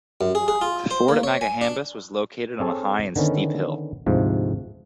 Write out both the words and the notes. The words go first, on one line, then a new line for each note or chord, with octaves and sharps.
The fort at Makahambus was located on a high and steep hill.
F#2
G#4
G#4
F4
C5
A#3
C#5
G#5
D4
C4 G#4 A4 C#5
D3 D#3 B3 C#4
D2 G#2 C3 F3